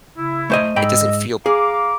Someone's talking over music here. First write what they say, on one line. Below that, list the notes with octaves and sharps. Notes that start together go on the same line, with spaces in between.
it doesn't feel
C#3 E4
A3 C5 D#5
G#2 D#5 G5 B5 E6
G#4 F5 A#5 D6